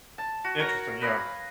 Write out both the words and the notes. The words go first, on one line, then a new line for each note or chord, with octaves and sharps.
Interesting, yeah.
A5
F#4
A#4 C#5 A#5
B4 D#5 F5 G#5